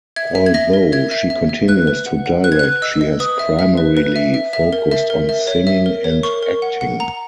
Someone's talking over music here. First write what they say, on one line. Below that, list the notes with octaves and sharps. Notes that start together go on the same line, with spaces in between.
Although she continues to direct, she has primarily focused on singing and acting.
E5 G#6
E5
G#6
E5 A#6
A#4
E5 G#6
E5
E5
E5
B4 F#6
B4
F#5
F#5
B4 F#6
G#6
F#6
B4
D#5 E6
D#5
B4 D#6
E5
E5
B4
B4
E5
E5
E5
A#4
E5
A#4
E5
C#5
E5
A#4
C#5
A#4 C#6
A#4
F#5
F#5
F#5 A#5